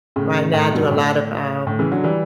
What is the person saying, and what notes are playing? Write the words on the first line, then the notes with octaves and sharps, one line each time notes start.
right now I do a lot of, um,
A2 C#3
A2
G2 B2
A2
A2
C#3 E3
D3 F#3
E3 G3